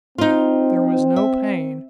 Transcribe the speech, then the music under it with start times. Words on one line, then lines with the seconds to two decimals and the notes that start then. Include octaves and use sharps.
There was no pain.
0.18 C4 D#4 F4
1.16 E5